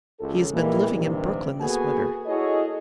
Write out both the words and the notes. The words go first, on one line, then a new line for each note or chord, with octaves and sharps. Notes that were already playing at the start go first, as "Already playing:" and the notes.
He has been living in Brooklyn this winter.
C#2 A4
A#2 E3 G3 G#3 A#3
A#1 G2 C3 D#3
A#3 B3 F#4 G#4 A4 G#5
E4 F#4 G#4 A4 C#5 D#5